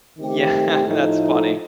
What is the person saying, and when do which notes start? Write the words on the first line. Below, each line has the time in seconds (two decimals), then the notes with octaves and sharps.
Yeah. That's funny.
0.18 D#3 A3 C4 G4
0.86 A2 F3 A3 D#4